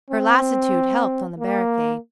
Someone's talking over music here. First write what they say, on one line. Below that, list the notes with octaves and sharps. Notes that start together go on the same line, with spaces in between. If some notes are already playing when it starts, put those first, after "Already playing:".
Her lassitude helped on the barricade.
C4
A#3